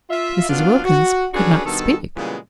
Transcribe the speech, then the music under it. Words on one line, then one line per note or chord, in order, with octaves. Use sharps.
Mrs. Wilkins could not speak.
F4 E5
F#3 B3 D4 F4 F5
F#4
C#4 D4 F#4 G#4 A4 B4
G2 B2 D#3 A4
A#2 C#3 E3 G3 G#3 B3